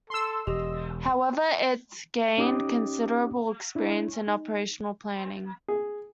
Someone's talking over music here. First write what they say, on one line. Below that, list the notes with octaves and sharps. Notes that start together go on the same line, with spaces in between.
However, it gained considerable experience in operational planning.
A4 C6 E6
E1 G4 D#5
C#4 D#4 G4 D6 D#6
D4 E4
D#4
G#4